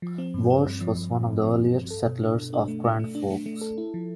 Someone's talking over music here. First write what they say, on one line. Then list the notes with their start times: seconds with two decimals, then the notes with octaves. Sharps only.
Walsh was one of the earliest settlers of Grand Forks.
0.02 F3
0.18 C4
0.34 G2
0.50 C4
0.66 G2
0.81 F3
0.97 G2
1.13 G2
1.28 G2
1.43 F3
1.60 G2
1.74 G2
1.91 A4
2.06 B2
2.21 D4
2.37 B2
2.53 D4
2.68 A3
2.85 A3
2.99 A3
3.15 D4
3.30 A3
3.46 A3
3.61 A4
3.78 E4
3.94 F3